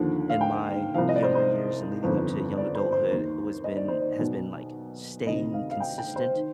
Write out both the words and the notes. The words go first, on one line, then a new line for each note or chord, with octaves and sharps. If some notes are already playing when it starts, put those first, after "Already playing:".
in my younger years and leading up to young adulthood, was been has been, like, staying consistent
Already playing: D#2 D3 F3
F5
G5
C2 C3 F3 F5
D#5
D5
C5
C5
G1 F2 D#3
D5
C5
C5
D#2 D#3
D#5
D5
C5
D5
B1 B2
D2 C3 D#3 D#5
F5
F5
G5
G5
C5
D#3